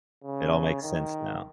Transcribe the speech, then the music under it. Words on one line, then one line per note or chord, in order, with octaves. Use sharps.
It all makes sense now.
C#3
D#3